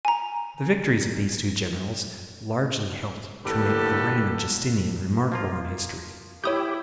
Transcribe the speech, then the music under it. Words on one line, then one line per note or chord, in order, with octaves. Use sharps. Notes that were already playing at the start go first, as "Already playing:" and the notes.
The victories of these two generals largely helped to make the reign of Justinian remarkable in history.
G#5 A#5
A2 D3 A#3 G4 A4 B4
F3 A#3 F4
E4 G4 C#5 D#6 G6